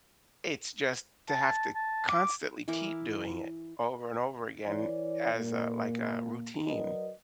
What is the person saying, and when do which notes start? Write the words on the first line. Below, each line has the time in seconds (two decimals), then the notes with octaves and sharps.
it's just to have to constantly keep doing it over and over again as a like a routine.
1.29 A5
1.74 A5
2.08 D6
2.68 E3 E4 A#4 D6
4.66 E3 E4 C#5 D5
5.34 A#2 A#3
6.66 F#3 F#4 A#4 B4 D5 D#5